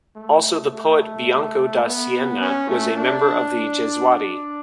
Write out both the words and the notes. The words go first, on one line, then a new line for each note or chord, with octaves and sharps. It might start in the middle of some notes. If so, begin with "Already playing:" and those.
Also the poet Bianco da Siena was a member of the Jesuati.
A3
A3
B3
C#4
A3
D4